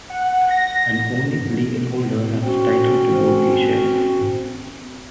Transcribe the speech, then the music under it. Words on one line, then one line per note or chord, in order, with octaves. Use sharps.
And only the legal holder has title to vote the shares.
F#5
A#6
C4 C#4 F#4